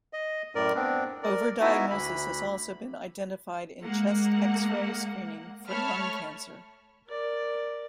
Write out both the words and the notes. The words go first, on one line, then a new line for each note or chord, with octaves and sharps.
Overdiagnosis has also been identified in chest x-ray screening for lung cancer.
D#5
F#2 A2 A#4 D5
B3 C4 D4
A#4 D5
B3 D#4 E4 F#4 E5 G#5
D2 B5
G#3 A#3 F#5
A3 C#5 A5 B5 F6
A#4 D5